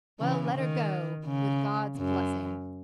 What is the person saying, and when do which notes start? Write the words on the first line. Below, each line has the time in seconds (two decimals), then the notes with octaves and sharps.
"Well, let her go, with God's blessing!"
0.20 C#3 E3
0.56 D#3
1.27 C#3
1.98 F#2